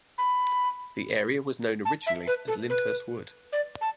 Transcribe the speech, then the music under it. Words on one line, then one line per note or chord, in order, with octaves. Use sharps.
The area was known originally as Lyndhurst Wood.
B5
A5
E5
B4
A4
B4
D5
A5